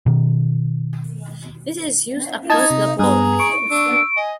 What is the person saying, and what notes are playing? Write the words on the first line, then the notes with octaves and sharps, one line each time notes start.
This is used across-the-board.
B2 D#3
D#4 A5 G#6
C3
G2 B3 G#4 A#5
C#6 D7
D4 E6
D#5 G#5